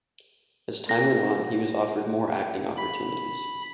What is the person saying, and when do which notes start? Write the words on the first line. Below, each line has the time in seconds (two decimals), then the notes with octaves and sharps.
As time went on, he was offered more acting opportunities.
0.89 A#6
2.77 B5